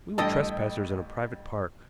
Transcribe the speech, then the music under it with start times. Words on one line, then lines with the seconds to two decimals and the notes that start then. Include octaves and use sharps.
We were trespassers in a private park.
0.18 A1 G2 A4 D#5 G5